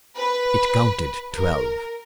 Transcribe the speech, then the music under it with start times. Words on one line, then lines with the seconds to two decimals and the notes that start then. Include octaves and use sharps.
It counted twelve.
0.17 B4
1.33 A#4